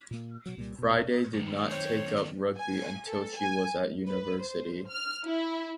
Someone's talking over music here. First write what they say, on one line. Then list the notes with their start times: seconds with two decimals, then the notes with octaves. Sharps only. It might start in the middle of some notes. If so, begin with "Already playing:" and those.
Fryday did not take up rugby until she was at university.
0.11 A#2 A#3
0.46 B2 F#3
0.57 C2 A#2 F#3 G3
0.78 E1 B2
1.34 F#2 D#3
1.70 C4 C5 C#5
2.58 G#5
3.06 A4
3.37 G#5
4.06 B4
4.42 C5
4.88 F6
5.24 E4